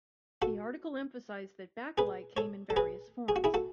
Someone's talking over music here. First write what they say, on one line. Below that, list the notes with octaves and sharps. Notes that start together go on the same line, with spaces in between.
The article emphasized that Bakelite came in various forms.
F#4 A4
G#4 B4
A4 C#5
A4
G#4 B4
G#4
F#4
E4 G#4
F#4 A4